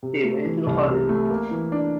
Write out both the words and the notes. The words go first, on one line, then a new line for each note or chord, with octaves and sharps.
He went to Holland.
C3
A3
E3
C2
C3
A3
A#3
E3
D4